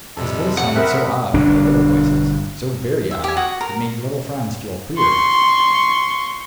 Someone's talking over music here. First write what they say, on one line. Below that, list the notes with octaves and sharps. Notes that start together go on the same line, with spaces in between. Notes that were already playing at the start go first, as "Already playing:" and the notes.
His voice sounded so odd, with the little voices,--so very odd,--it made little Franz feel queer.
F2 C3 G3 G#3 A4
F#5
B3 C4 A#4 B4 E5
G1 B2 D4
E5
G4 G#5
F#4 D#6
A#4
C6 C#6